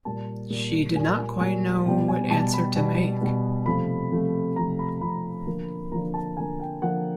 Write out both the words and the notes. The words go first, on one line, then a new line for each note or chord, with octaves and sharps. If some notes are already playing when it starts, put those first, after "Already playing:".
She did not quite know what answer to make..
A#2 G3 A#3 A5
A#2 G3 A#3
A#2 G3 A#3 G#5
G#5
A#2 G3 A#3 G#5
B2 G3 B3 G5
G#5
B2 G3 B3 A5
B5
B2 G3 B3
B2 G3 B3
C3 F3 A3 B5
C3 F3 A3
C3 F3 A3 A#5
B5
C3 F3 A3 B5
D3 F3 A#3
D3 F3 A#3 A#5
A5
D3 F3 A#3 G#5
G5
D3 F3 A#3 F#5